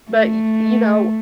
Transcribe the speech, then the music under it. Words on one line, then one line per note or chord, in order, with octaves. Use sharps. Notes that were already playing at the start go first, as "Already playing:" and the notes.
But y you know,
A3